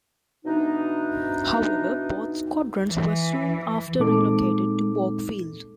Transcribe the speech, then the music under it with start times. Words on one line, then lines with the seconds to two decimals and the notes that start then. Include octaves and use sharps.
However, both squadrons were soon after relocated to Bogue Field.
0.46 B2 E3 D4 D#4
2.87 E3
3.99 A#2 G#3 C4 D#4 A4 D6